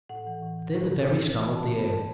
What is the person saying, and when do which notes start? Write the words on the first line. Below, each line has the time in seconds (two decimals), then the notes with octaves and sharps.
They're the very scum of the earth.
0.09 A2 F#5
0.27 E3
0.43 A2
0.59 E3
0.75 A2
0.92 E3
1.08 A2
1.25 E3
1.41 B2 B5
1.55 A5
1.58 B2
1.63 B5
1.74 B2
1.85 A5
1.90 B2